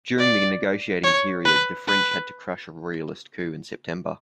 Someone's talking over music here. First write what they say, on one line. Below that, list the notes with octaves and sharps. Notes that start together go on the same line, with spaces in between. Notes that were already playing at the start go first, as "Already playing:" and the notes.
During the negotiating period the French had to crush a royalist coup in September.
D5
C#5
B4
B4